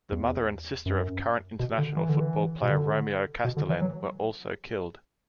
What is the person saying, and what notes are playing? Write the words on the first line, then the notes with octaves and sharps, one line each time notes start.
The mother and sister of current international football player Romeo Castelen were also killed.
E2
F#2
B2
D3
E3
D3
E3
B2
D3
B2
D3
E3
F#3